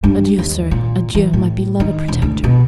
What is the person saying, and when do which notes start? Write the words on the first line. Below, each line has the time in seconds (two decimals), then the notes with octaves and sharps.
"Adieu, sir, adieu, my beloved protector."
0.03 G2
0.39 D#2
0.71 A#2
1.15 E3
1.33 A2
1.80 D#3
2.08 E1
2.22 D2
2.44 B2